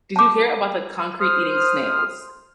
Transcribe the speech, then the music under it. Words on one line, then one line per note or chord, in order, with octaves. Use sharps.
did you hear about the concrete eating snails?
A5 D6
C5 D#6 F6